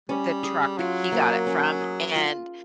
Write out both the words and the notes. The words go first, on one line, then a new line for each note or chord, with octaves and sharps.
the truck he got it from, and
G3 C#4
G#4
F#3 F4
A#3
C#4
G#4
F4